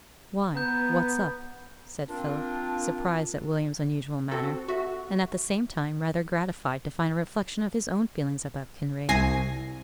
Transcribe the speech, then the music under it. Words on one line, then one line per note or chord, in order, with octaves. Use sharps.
'Why, what's up?' said Philip, surprised at William's unusual manner, and, at the same time, rather gratified to find a reflection of his own feelings about Kinraid.
B3 A#5 G6
A#3 C4 D4 F4
C4 F#4 A4
F#4 E5
C2 G#5 A#6 C7